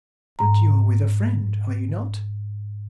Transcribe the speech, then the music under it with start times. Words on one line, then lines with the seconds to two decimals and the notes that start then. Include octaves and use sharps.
"But you are with a friend, are you not?"
0.39 G#2 A#5